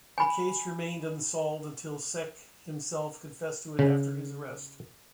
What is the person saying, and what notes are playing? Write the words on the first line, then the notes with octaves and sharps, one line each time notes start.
This case remained unsolved until Sek himself confessed to it after his arrest.
G#5 B5
C#3